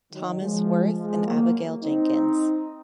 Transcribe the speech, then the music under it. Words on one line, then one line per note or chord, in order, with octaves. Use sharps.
Thomas Worth and Abigail Jenkins.
D#3 F#3
F3 G#3
F3 G#3
F#3 A#3
C4 D#4